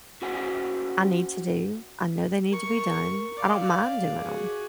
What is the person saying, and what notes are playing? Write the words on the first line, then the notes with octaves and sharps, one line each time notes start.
I need to do, I know they need to be done, I don't mind doing 'em,
C#4 E4 F#4 C5 F#5 G#5
A#4 C#6
D5 F5
F#4 G#4